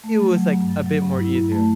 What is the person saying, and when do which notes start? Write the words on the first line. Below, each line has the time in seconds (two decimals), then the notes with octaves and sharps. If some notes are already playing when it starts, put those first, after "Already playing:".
it was, like, a bit more easier.
0.04 A3
0.20 F#3
0.37 F#3
0.53 G2
0.70 F#3
0.86 F#3
1.02 G2
1.19 E4
1.36 G2
1.52 A3